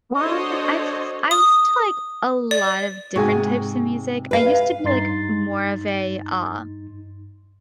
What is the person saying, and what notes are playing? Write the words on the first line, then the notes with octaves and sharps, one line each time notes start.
Well, I've I listen to, like, a lot of different types of music. I used to be, like, more of a, uh,
D4 F#4 A4 C5 C#5 D#5
D#6
D5
G#2 C3 F#4 G#4 G#5
B4 F5
G2 D#4 C6 A6 C7